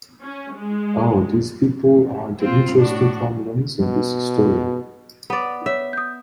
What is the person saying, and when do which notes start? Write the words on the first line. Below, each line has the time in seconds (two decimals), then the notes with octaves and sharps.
Oh, these people are the interesting problems in this story.
0.22 C#4
0.55 G#3
2.41 C4 F4
2.76 A2 D4 F#4
3.80 B2
5.30 B3 D5
5.66 C#5 E5
5.93 D#6 G6